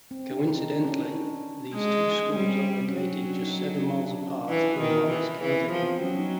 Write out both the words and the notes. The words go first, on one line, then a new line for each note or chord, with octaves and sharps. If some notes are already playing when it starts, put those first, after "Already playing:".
Coincidentally, these two schools are located just seven miles apart in Morris County.
C4
D4
D#4
D4
C#4
D4
G#3
C#4
G3 C4
C4
C#4
F#3 D4
D#4
D4
D#4
D#4
C#4
D4
D4
C#4
E3
D#3
E3
E3 C4
B3
F3
C4
F#3 C#4
D#4